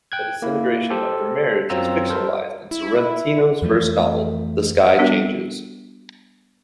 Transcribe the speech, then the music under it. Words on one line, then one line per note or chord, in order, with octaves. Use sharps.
The disintegration of their marriage is fictionalized in Sorrentino's first novel, "The Sky Changes".
G5 F#6 G#6
A#3 E4
G4 A4 C5
F#2 F#3 C4 F4 A#5 E6
A4 A#4 C5
E4
F2 E3 F3 A3
G3 B3 D4 F#4 A#4 E5